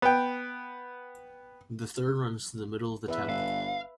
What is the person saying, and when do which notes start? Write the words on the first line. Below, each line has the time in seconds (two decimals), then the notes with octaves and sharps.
The Thur runs through the middle of the town.
0.02 B3 G5
3.08 E2 B4 E5
3.29 G1 F5